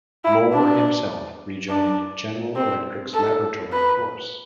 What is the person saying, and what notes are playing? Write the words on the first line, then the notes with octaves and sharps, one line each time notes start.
Moore himself rejoined General Electric's laboratory force.
E4
D4
D4
C4
A4
B4